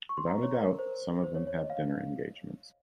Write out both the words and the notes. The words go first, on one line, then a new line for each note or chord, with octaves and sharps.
Without a doubt, some of them have dinner engagements.
C#6
C6
A#5
C#5
A#4
C5
C5
C#5
C#5
D#5
F5